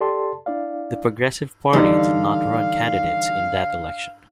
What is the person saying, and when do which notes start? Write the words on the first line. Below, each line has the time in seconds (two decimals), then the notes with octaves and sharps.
The Progressive Party did not run candidates in that election.
0.01 G4 A4 D5 A5 C6
0.46 D4 E4 D5 F5
1.73 D3 E3 G3 D#4 F5